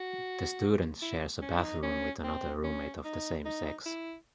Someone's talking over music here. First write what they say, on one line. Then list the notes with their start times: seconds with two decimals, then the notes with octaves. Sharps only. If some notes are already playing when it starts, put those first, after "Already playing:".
The student shares a bathroom with another roommate of the same sex.
Already playing: F#4
1.02 E4
1.42 C#4
1.58 E4
1.63 D#4
1.83 C#4
2.24 C4
2.64 C#4
3.05 D#4
3.45 D#4
3.86 E4